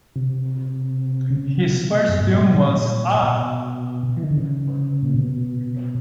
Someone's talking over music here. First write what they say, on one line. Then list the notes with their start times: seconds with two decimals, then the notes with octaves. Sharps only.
His first film was Ah!
0.16 C3
1.30 C#3
1.57 C3
1.69 B2
2.09 F#2
2.19 G2
2.27 G#2
2.36 A2
2.46 A#2
3.18 A#2
3.22 B2
4.17 E3
4.23 D#3
4.31 D3
4.38 C#3
5.02 A#2
5.14 B2